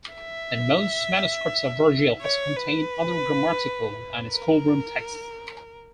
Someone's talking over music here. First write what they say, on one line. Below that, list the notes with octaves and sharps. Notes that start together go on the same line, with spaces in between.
In most manuscripts of Virgil also contain other grammatical and schoolroom texts.
E5
C#5
B4
A#4